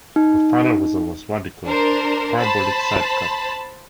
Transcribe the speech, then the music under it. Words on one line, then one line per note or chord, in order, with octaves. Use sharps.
The final result was radical parabolic sidecut.
D#4
D4 A#4 C5
C5 A5 B5